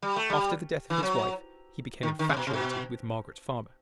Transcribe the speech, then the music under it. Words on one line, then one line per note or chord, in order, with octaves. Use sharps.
After the death of his wife he became infatuated with Margaret Farmer.
G3
A3
G3
E3
F#3
D#3
D#3
C3
B2
C3
B2